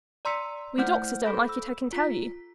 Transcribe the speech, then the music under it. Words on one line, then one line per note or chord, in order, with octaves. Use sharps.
We doctors don't like it, I can tell you!'
D5 A#5 C6 E6 B6 C#7
A3 E4 C5 F#5 F6 G6
A4 B5 G6 A#6
E6
F4 B6